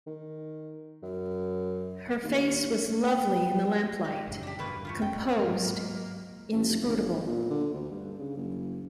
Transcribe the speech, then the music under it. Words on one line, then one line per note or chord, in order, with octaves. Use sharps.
Her face was lovely in the lamplight, composed, inscrutable.
D#3
F#2
D#2
G5
D#4 G4
A1 F#2 C#3
D4 G4
E1 G2 B2 D3 A#3 B4
A3 E4 F4
F2 C#4 G5
G#2 F#3 G#3 A#3 A#4
A1
F1
G1
A#2
D3
D2
G2
C#3
F#1